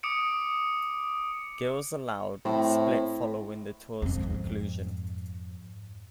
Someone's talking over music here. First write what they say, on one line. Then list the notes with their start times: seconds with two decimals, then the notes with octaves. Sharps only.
Girls Aloud split following the tour's conclusion.
0.03 D6 D#6 C#7 D7
2.45 A2 C4
4.02 F2 G#2